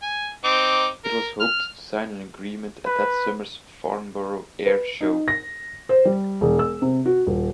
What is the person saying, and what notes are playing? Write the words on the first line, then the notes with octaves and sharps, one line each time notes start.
It was hoped to sign an agreement at that summer's Farnborough Air Show.
G#5
C4 D#4 D6
A#4
F6
B4
B4
D#4
A#6
C5
G3
E1
E6
C3
F#4
D#1